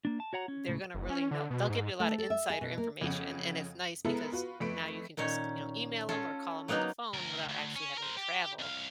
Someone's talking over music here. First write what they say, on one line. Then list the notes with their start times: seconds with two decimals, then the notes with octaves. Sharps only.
they're gonna really know they'll give you a lotta insider information, and it's nice because now you can just c you know, email 'em or call 'em on the phone without actually having to travel
0.05 A#3 D4
0.20 A5
0.33 F#4 C#5 F#5 A#5
0.48 C#4
0.66 C#2 A2 C#3
0.94 F#1
1.10 C#4
1.31 D3
1.50 B2
1.70 G#2
2.00 A3
2.18 A4
2.30 E5
2.50 G#4
2.61 B2
2.78 A#3
3.01 F2 C#3 F#5
4.05 G#3 B3 E4 A4 A#4
4.32 F4 F#4 B4
4.60 F2 A3 B4 D7
5.17 A#2 D#3 C#4 C#5
6.09 C#4 F4 A4
6.68 F#3 A#3 B3 C#4 D#4
7.14 D2 A#4
7.49 D2
7.76 C#4
7.98 A#4 C5
8.17 G4
8.59 C2 F5